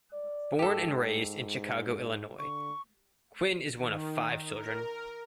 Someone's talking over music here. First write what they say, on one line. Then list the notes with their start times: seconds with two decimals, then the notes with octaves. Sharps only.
Born and raised in Chicago, Illinois, Quinn is one of five children.
0.13 D5
0.59 G#2 G4 A4
2.39 D3 C#6
3.74 D#3
4.50 A#4